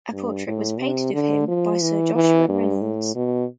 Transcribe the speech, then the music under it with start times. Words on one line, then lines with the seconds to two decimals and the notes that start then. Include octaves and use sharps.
A portrait was painted of him by Sir Joshua Reynolds.
0.13 G2
0.47 A2
0.80 C3
1.14 D3
1.48 F3
1.81 E3
2.15 E3
2.49 G2
2.81 A2
3.15 B2